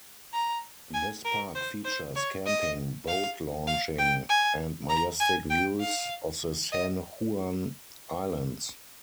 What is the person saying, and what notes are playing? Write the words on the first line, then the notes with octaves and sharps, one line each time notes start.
This park features camping, boat launching, and majestic views of the San Juan Islands.
A#5
G#5
A#4
C5
C5
C#5
D#5
F5
F5
G5
G#5
A#5
G#5
G5
F5
D#5